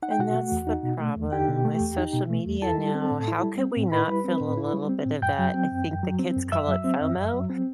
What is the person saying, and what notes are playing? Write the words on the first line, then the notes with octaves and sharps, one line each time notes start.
And that's the problem with social media now, how could we not feel a little bit of that? I think the kids call it FOMO.
D#4 F#5
G5
B2 F#4 F#5
A3
E2
D#4
B2
A3
E2
D#4 G4 G5
B2
A3
E2
D#4
B2
A3
E2
E4 A4 A5
G3
C4
A2
E4
G3
C4
A2
E4 B4 B5
G3
C4
A2
E4
G3
C4
A2
F#2 G5 G6
F#3
C4
F#2
F#2
F#3
C4
F#2
F#2 E5 E6
F#3
C4
F#2
F#2
F#3
C4